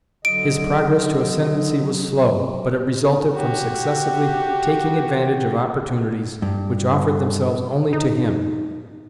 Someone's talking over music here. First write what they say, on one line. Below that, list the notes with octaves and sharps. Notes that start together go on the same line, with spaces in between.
His progress to ascendancy was slow; but it resulted from successively taking advantage of opportunities which offered themselves only to him.
D3 F#3 D#5 D7
F#4 G4
G2
D#4